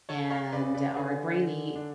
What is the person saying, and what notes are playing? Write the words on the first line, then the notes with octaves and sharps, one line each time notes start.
and or Brainy,
A4 C#5
C#5 F5
C#3 B4 D5
B4 D5
D3 G#4 B4
D4